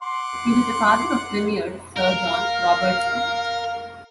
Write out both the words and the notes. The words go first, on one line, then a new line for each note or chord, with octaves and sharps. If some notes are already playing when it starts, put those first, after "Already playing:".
He was the father of Premier Sir John Robertson.
F#5 C6 D6
A#4 F5